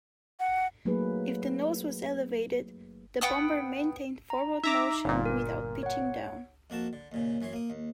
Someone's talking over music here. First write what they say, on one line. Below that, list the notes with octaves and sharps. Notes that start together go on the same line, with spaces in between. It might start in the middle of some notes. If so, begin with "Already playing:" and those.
If the nose was elevated, the bomber maintained forward motion without pitching down.
F#5
F#3 A3 A#3 D#4 G#4 B4
B3 F#5 G5 D#6
A#5
D#4 E5 A#5 D6
G1 A#2
A#4
C#5 F#5
F2 A#3 F#4 A5
D3
D#2 A#2 C#3
F#2 E3 C#5 C6
A#3 D#6
D#2